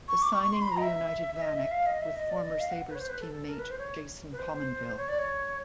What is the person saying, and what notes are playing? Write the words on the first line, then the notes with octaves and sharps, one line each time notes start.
The signing reunited Vanek with former Sabres teammate Jason Pominville.
C#6
D6
C#6
C#6
C6
B5
A#5
D#5
E5
E5
D#5
E5
F5
D#5
E5
D#5
D5
D#5
F5
F#5
B4
C#5
C5
B4
A4
A4
A#4
B4
C5
C#5
B4
C5
C5
C#5
D5
C#5